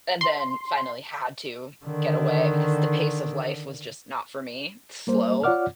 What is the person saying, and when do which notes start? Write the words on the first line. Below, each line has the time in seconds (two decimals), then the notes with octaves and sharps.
and then finally had to get away because the pace of life was just not for me, slow.
0.21 C6
1.85 D3 D#3
5.07 G3 A#3 C5
5.44 F4 C#5 D5 F#5 D6 F6